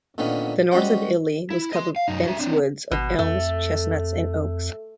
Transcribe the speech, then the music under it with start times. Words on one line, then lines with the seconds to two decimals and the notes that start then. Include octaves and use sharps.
The north of Italy was covered with dense woods of elms, chestnuts, and oaks.
0.18 A#2 D3 D#3 B3 C#4
0.72 G3 G#3 C#4 F#4 C5
1.50 E4
1.73 D#5 C6
1.96 F5
2.08 F#2 D#4
2.25 F#4 E5
2.39 C4 D4
2.91 G#1 B2
3.19 F2 A3